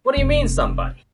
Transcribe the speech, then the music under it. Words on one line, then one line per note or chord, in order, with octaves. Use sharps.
What do you mean, somebody?
F1